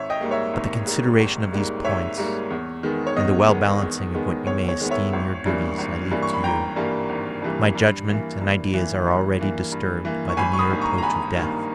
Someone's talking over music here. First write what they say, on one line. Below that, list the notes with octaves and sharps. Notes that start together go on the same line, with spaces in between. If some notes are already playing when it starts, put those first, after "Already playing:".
But the consideration of these points, and the well balancing of what you may esteem your duties, I leave to you; my judgment and ideas are already disturbed by the near approach of death.
Already playing: G#1 C#5 E5
D#5 G5
G#2 G3 A#3
C#5 E5
G#1
G#2 G3 A#3
G#1
G#2 G3 A#3
G#1 C#5 E5
G#2 G3 A#3
E2
D#3 G#3 B3
C#5
E2 D#5
D#3 G#3 B3
E2
D#3 G#3 B3
E2 C#5
C#5
D#3 G#3 B3
C#5 E5
G#1
G2 E3 G3 A#3
G#1
G2 E3 G3 A#3
C#6
B5
G#1 G5 A#5
G2 E3 G3 A#3
G#1
G2 E3 G3 A#3
G2
E3 A#3
G2
E3 A#3
G2
E3 A#3
G2
E3 A#3
C#6
G#1 G#5 B5
C#6
B5 D#6
G2 D#3 A#3
A#5 C#6
A#5
G#1 G#5 B5
G2 D#3 A#3